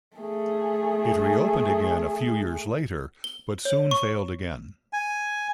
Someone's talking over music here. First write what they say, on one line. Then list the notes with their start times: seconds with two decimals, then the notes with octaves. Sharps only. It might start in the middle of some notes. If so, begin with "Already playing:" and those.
It reopened again a few years later but soon failed again.
0.17 A3 G#4
3.24 G7
3.65 C#5
3.91 C#6
4.93 G#5